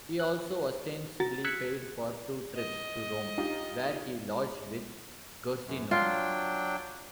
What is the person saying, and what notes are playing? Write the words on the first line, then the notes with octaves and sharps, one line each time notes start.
He also ostensibily paid for two trips to Rome, where he lodged with Guercino.
F#6
F#4 A#5 A6
E6 F#6 G#6 B6 C#7
D#5
D#4 F4 G4
F#2
F#3 D4 F4 G5